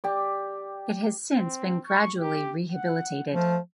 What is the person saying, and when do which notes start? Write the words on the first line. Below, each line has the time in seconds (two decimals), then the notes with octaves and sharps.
It has since been gradually rehabilitated.
0.04 G4 D5
1.36 C4
1.87 C#6
2.19 G4
2.72 F#5
3.32 F3 A3